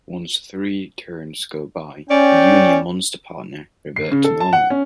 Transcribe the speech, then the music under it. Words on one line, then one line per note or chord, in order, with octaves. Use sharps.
Once three turns go by, you and your monster partner revert to normal.
C#4 D5 G5
C7
C#3
A4
A5
F#5
C#4